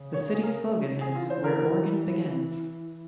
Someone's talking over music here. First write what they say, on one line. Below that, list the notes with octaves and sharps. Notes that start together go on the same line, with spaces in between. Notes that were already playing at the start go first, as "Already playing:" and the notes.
The city's slogan is "Where Oregon Begins".
Already playing: C#3
C#5
G#4
A#4
E3 G#4
F4
C5
A#4
A#4